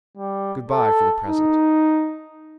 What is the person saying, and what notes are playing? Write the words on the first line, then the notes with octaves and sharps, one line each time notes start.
Good-bye for the present!
G3
A4
D#4